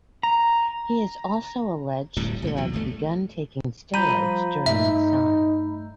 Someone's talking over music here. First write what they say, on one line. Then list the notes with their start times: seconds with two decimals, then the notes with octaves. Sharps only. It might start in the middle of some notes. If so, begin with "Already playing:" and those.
He is also alleged to have begun taking steroids during this time.
0.23 A#5
2.17 D1 D2 A2 G3
2.42 A#1 C#3 A3
2.56 E2 B2 F#3
2.73 G1 D2 E3 A3
3.94 F3 G3 A#5 B5 G6 D#7
4.66 G2 A3 D#4 E5